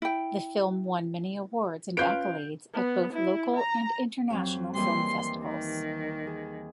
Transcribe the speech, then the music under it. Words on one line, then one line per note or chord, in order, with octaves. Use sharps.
The film won many awards and accolades at both local and international film festivals.
E4 G5
C#4 F4 B4 F5 G6 D7
B3
E4
A#5
F2 F#3 C4
D#2 E3 G3 C6
D#3
G#4